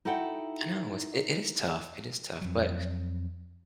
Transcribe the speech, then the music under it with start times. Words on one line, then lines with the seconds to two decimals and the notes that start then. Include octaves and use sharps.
I know, it's it is tough. It is tough, but
0.05 D#4 E4 F#4 A4 F#5 G5
2.41 F2 F#3